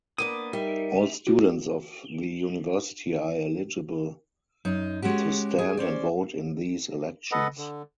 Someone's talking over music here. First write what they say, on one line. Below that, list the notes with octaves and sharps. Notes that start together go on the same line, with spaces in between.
All students of the university are eligible to stand and vote in these elections.
A#3 B3 D4 D6 D#6 D#7
G3 D#4 A#4 E5
F#4
F#2 D#4
G#3 C#4 F#4 G4
G#4
C#4 C5 D5
A4 B4 D#5 F#5
D3